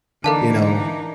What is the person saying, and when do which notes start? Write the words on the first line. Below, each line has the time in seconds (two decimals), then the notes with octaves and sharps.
you know
0.24 D3 E3 A#3 D4 D#4 A4 F5 A5